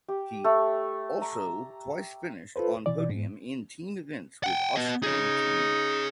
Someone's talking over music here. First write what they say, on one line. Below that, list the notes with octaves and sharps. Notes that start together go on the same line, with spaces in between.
He also twice finished on podium in team events with Austrian team.
G4
A3
A#5
F4 A4 B4 C5
B2 E3 D5
G#2
F#5 G5
B3 D#5
D#4 G#4 C#5